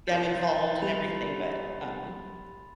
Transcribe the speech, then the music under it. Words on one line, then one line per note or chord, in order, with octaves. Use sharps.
them involved and everything, but, um
C2 F3 C6 G6 A6
G3 B5 F7